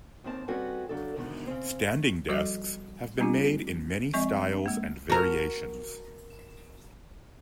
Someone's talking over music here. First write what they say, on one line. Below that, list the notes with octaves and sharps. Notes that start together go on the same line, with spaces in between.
Standing desks have been made in many styles and variations.
D#2 D#3 C4 A5
G3 C4 C#4 F#4 A4 B4
C#3 F#3 D4 A4
E2 G#2 B2 D3 D#3
C#3 C4
A3
F3 G3 F#4 A4 D5 D#5
G3 A#3 C4 D4 F4 G4
F3 G#3 C4 D#5 C#6
D4
G#3 A#3
F#4 A#4